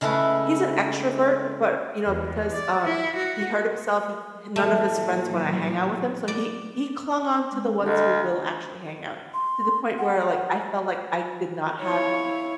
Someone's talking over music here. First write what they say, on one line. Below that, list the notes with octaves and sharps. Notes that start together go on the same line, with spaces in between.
He's an extrovert, but, you know, because, um, he hurt himself, he h none of his friends wanna hang out with him, so he he clung on to the ones who will actually hang out, to the point where, like, I felt like I did not have
C#3 G#3 A3 E4 B4
E2
D5
E4
F#4
A#2 E3 F#3 A3
D5
G#3
D2 A4 D#5
C6
F#5
E4 C#5 F5